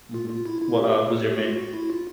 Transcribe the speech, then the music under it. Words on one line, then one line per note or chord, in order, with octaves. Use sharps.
Mhm. Wha uh, who's your main?
F4
F4
E4
E4
G4
G#4
A4
G4
F#4
F4
F#4
E4
F4